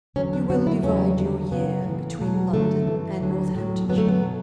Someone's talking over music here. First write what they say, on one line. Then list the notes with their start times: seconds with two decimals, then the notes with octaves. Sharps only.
"You will divide your year between London and Northamptonshire?"
0.16 E2 D3 F#3 C#4
0.33 D4
0.50 F#2 D3 F#3 F#4
0.67 E4
0.84 E2 C#3 F#3 C#4
1.17 E2 D3 F#3
1.51 F#2 C#3 F#3 B3
1.85 A2 E3
2.19 E2 B2 F#3
2.53 G2 D3 F#3 A3
2.87 G2 E3
3.20 D2 D3 F#3
3.55 A2 F#3
3.88 F#2 D3 F#3 B3
3.98 A3
4.08 B3
4.23 B2 F#3